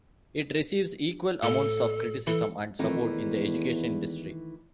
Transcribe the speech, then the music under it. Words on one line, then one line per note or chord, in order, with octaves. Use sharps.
It receives equal amounts of criticism and support in the educational industry.
A2 A4
E3 A4
F2 D#3 E3 A3
E2